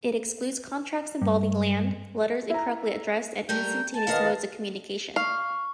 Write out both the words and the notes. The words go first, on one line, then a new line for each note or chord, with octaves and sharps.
It excludes contracts involving land, letters incorrectly addressed and instantaneous modes of communication.
G2
E4 A#5
G3 A3 A#4 G6
G#5 A5
E2 D#3 B3 A#4 D#5 F5
F5 C#6